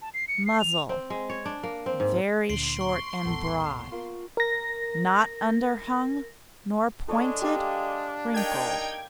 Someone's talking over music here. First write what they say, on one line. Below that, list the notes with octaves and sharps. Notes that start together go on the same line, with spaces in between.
MUZZLE--Very short and broad; not underhung nor pointed; wrinkled.
A5
C7
C#7
C7
F7
C4
G#3
C#5
D4
A#3
C4
G#2
D2 A#2 C6 C7 D7 F#7
C#6
D#1 A1 B3 A4 A#5
A#3 F4
A#4 A#6
G#3 D4 A4 C#5 D5
G4 D5 F5
D#4 A#4 G5 G#6